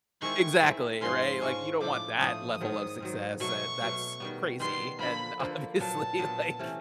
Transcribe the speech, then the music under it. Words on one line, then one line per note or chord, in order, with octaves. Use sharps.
Exactly, right, like, you don't want that level of success, uh, that's crazy, and, obviously, like,
D#3 G#3 C4 E4 C#6
D#3 G#3 C4 E4
G#2 F3 G#3 C#4 C6
G#2 F3 G#3 C#4 C#6
A2 F3 A3 D4 D6
A2 F3 A3 D4 D#6
G#2 D#3 F#3
G#2 D#3 F#3
B2 F#3 A3 C#6
B2 F#3 A3
D#3 G3 B3
D#3 G3 B3 C6
D3 F3 A#3 B5
D3 F3 A#3
A#2 F#3 B3 A5
A#2 F#3 B3
C3 E3 A3 C#4